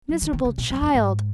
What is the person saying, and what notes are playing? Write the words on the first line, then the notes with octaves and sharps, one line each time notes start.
Miserable child!
F#3
D#3
D#3
C#3
A#2
F#2
F2
G#2